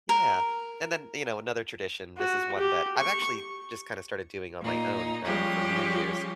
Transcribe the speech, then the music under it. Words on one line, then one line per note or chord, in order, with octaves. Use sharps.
Yeah, and then, you know, another tradition this is one that I've actually just kind of started doing on my own, uh, for New Year's,
A#4
F#4
G4
C#6
A#2 D#4
F3 G3 G#3 C#4 G4